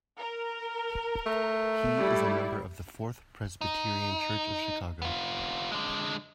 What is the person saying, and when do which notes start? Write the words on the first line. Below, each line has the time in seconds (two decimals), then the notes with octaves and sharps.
He is a member of the Fourth Presbyterian Church of Chicago.
0.18 A#4
1.27 A3
1.97 G3 E4
3.61 D#4
5.02 B3 F4
5.72 D3 G#3